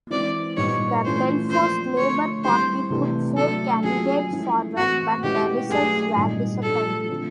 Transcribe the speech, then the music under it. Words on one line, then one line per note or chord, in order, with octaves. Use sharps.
The Belfast Labour Party put four candidates forward but the results were disappointing.
E3 G#3 C4 E4 D5
A#2 G3 B3 D#4 G4 C#5
E3 A3 C#4 F4 C5
F3 A#3 D4 C5
D3 F3 A3 C#5
G3 C4 E4 G4 C5
C3 E3 A3 D4 G4
F#3 A3 D4 A4
F#3 A#3 C#4 F4 G#4
F3 G#3 C#4 E4
A2 E3 A3 C4 F#4
B2 G#3 C#4 E4 G4
F#3 A3 D4 G4 G#4
A#2 G3 C4 D#4
F3 A3 D4 G4 A4
D3 F3 A3 C4